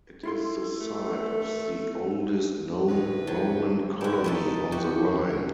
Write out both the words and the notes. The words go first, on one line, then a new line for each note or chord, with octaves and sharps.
It is the site of the oldest known Roman colony on the Rhine.
E4 F4 A4 C6
A3
D2 A2 B4
F3 F#3
E4 F#4 G4
A3 D#4 A4
F#3 F#4 G4
A#4